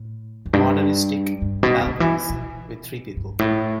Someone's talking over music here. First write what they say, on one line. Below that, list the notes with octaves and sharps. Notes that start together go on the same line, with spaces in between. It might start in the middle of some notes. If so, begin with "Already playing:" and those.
Modernistic balconies with three people.
Already playing: A2
E2
G2
G2
B2
D3
E3
B2
G2
A2